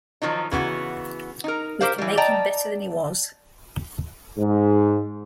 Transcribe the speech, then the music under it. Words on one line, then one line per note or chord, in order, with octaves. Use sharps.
We can make him better than he was.
D#3 F3 F#3 D#4
C#3 E3 B3 F#4
D#4 A#4
G4 A#4 C5 F5
E3 G3
D5 D#5 G5 A5 A#5
G#2